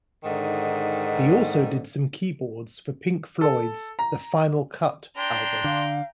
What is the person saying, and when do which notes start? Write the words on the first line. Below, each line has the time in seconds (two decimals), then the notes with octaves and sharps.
He also did some keyboards for Pink Floyd's "The Final Cut" album.
0.24 G#2 D3 D#3
3.41 A4
3.99 A#5
5.17 D4 G5 A#5 C6
5.64 D3 F5